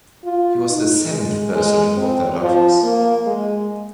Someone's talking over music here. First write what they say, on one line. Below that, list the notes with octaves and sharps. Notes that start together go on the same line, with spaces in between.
He was the seventh person to hold that office.
F4
D#4
G#3
G#3
C4
F3
A#3
G#3